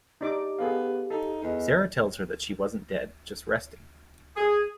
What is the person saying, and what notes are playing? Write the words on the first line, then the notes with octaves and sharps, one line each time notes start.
Sara tells her that she wasn't dead, just resting.
D#4 G4 D5 D6
B3 G#4 A4 F5
D#4 A4
E2 D#5
G#4